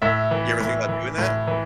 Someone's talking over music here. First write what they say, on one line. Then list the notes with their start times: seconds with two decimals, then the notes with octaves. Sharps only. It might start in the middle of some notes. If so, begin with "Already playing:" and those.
You ever think about doing that?
0.02 A2 E5
0.31 E3
0.60 A2
0.89 E3
1.18 A2
1.47 E3